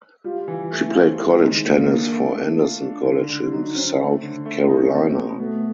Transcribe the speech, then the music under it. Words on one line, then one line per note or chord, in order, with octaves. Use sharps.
She played college tennis for Anderson College in South Carolina.
G3 F4
E3
A3
E4
C4 F4
G#3 E4
D#3 D#4
A#3 F4
D4
A3
A3
F4
D4
D3
D3
F#3 D#4
C4 C#4
A3
D3
A3
D#4
C#4
B2 C4
B2 B3
A3 B3